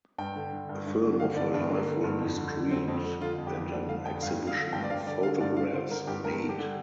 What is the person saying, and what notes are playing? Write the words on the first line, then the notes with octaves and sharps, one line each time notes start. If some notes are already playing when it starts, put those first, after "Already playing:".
A film of her life will be screened and an exhibition of photographs made.
G2 G5
D3
D3
G2
G2
D3
D3 F5
G2 D5
G2 D4
D3 A#3
D3
G2
F2
D3
D3
F2 C4
F2 C4
D3
D3 F4
F2
G4
F2
D3 D4
D3 F5
F2 G5
G2 F5
D3
F5
D3
G2 G5
D5
G2 F5
D3 D5
D3 F5
G2 D5
G2 F5
D3 C5
D3 A#4
G2 G4
G2 A#4
D3
G4
D3